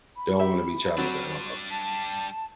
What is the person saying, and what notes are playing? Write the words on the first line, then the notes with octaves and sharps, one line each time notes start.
Don't wanna be challenged at all.
B5
G4 E5
F#3 G3 C4 D4
A5